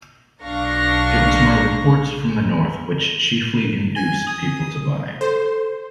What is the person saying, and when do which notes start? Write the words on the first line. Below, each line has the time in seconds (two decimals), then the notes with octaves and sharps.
It was my reports from the north which chiefly induced people to buy.
0.42 B1 D4 F5 C#6 A#6
3.96 G#5
4.27 D#6
5.21 A4 C5